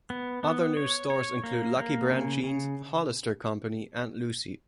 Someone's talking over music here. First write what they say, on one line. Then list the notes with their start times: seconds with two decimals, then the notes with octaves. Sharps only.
Other new stores include Lucky Brand Jeans, Hollister Company and Lucy.
0.10 B3
0.43 B3
0.77 C#5
1.10 C#5
1.44 A#3
1.77 A#3
2.10 C#3
2.43 C#3